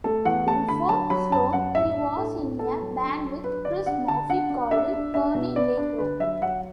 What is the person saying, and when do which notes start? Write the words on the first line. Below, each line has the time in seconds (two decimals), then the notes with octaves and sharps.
Before Sloan, he was in a band with Chris Murphy called Kearney Lake Road.
0.04 A3 A4
0.25 E2 F#5
0.47 A3 A5
0.68 D3 B5
0.89 F#3 A5
1.10 F#3 B5
1.32 F#2 A5
1.53 F#2 F#5
1.75 A2 E5
1.96 D4
2.17 A2 A4
2.38 A2
2.59 B3 A4
2.81 F#3
3.02 D4
3.24 F#3
3.44 D4 B4
3.65 D3 D5
3.86 D4 F#5
4.08 D3 A5
4.29 D4 F#5
4.50 D4
4.71 D4 E5
4.93 D4
5.14 D4 E5
5.35 B2
5.56 B3 D5
5.77 D4
5.98 D3 B4
6.20 F#3 E5
6.41 F#3 F#5